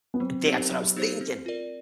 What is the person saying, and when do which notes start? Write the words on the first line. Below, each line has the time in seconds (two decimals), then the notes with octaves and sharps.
That's what I was thinking.
0.14 B3
0.20 F#3 C4
0.45 B3 D#4 G4 C5
0.71 F#3
0.96 B3 D#4 G4 C5
1.21 C4
1.46 F4 A#4 D5